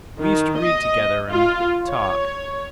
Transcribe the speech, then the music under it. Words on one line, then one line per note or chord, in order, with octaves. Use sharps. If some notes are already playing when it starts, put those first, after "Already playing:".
We used to read together and... talk.
D#3
D#5
F4
C#5